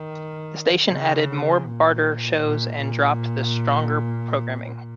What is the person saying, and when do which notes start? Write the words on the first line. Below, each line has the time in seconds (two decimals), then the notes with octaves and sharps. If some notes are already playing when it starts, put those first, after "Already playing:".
The station added more barter shows and dropped the stronger programming.
Already playing: D#3
0.90 C#3
1.66 A#2
2.40 A#2
2.78 A#2
4.64 A#2